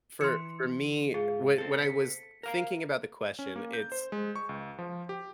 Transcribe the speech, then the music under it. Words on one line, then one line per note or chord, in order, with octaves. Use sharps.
for for me, when when I was thinking about the question, it's
E3 C6 C#7
G#2 F4 G#4
C4 A4
B6 C#7
A#4 F5 A#5
C#4
A#3
G6
C5
G#3
C#6
C#2
F3
G4